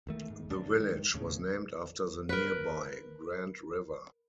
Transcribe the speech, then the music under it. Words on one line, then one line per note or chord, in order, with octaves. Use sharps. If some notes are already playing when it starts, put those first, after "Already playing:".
The village was named after the nearby Grand River.
E1 D#3 A3
G#2
D2 B2 F#3 D4
G#2 D#3
D#2 A2 C#3
A#4 B4